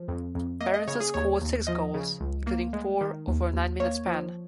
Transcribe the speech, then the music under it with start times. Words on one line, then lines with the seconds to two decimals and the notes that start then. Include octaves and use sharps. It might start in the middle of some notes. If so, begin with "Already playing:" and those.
Berenson scored six goals, including four over a nine-minute span.
Already playing: F3
0.08 F2
0.35 F2
0.60 A#3 D#5
0.74 D#5
0.87 C#3 C#5
1.00 G#4
1.14 D#2 C#5
1.41 D#2
1.67 F3 D#5
1.94 C#3
2.20 C#2
2.47 A#3
2.73 G#3
3.01 D#3
3.27 D#2
3.53 D#2
3.80 A#3 C#5
4.06 F3